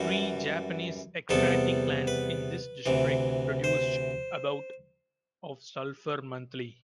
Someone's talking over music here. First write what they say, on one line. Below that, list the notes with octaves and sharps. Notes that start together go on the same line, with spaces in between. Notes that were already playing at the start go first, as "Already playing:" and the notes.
Three Japanese extracting plants in this district produced about of sulfur monthly.
Already playing: F#2 E3 G3 F#4
E2 C3 G3 B3 A4
B4
D2 C3 E3
C5